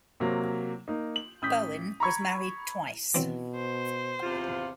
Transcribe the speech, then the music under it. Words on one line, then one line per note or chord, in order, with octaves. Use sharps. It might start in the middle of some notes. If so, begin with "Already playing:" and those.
Bowen was married twice.
C3 F#3 A#3
A#3 D#4
F#7
A1 D#6 G6 B6
A#5 B5 C#6 G#6
B2 E3 F#3 C4
C5
E2 C3 F4